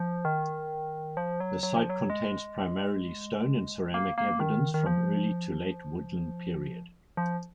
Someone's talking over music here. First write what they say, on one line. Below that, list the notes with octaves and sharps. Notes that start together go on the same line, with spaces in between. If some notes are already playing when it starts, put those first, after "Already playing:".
The site contains primarily stone and ceramic evidence from Early to Late Woodland period.
Already playing: F3
D#3
F3
F#3
F#3
F3
F#3
G#3
A#3
A#3
D#3
D#3
F3
F3